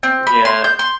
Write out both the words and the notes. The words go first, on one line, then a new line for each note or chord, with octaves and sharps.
Mm yeah.
C4
B5
C6
G6
C6